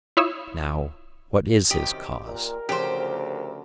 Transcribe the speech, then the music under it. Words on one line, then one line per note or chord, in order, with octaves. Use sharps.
Now, what is his cause?
E4 F4 C#5 D#6 E6
F#2 C3 D#3 G4 D#5
A#2 A#4
D2 C#3 F3 G4 C5